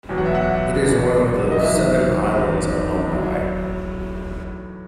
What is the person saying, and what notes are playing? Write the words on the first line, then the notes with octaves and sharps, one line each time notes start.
It is one of the seven islands of Mumbai.
E2 B2 F#3
F#5
E5
F#5
E2 B2 F#3
D#5
E2 D#3 F#3 E5
E2 D#3 F#3
A2 F#3